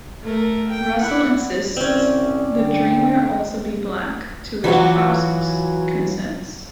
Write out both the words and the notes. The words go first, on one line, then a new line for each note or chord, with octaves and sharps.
Russell insists the dreamer also be black, to which Pabst consents.
A3 A#4
G5
E4 F#5
C2 C4 C#4 D5
D3 G5
E3 F#3 F4 F#4